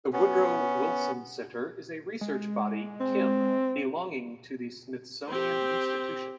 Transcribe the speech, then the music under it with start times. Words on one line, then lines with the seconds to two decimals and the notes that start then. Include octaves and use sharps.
The Woodrow Wilson Center is a research body kim belonging to the Smithsonian Institution.
0.13 B3 C#4
2.21 G#3
3.01 C4
5.28 C4 G4